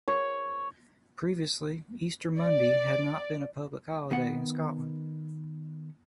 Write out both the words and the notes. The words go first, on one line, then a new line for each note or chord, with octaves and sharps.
Previously Easter Monday had not been a public holiday in Scotland.
C#5
D5
D#3 B3 F#5